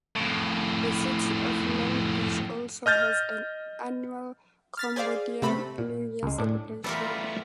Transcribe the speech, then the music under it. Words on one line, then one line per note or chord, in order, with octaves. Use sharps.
The city of Long Beach also has an annual Cambodian New Year celebration.
F2 A2
D#5 F6 G6 A6
F6 A6 B6
G#4 C5 D5 F5
C3 A3 B5
A#2
C#2 G#3
A2 D4
E3 G3 A3 B3 F4 A4 A#4 E5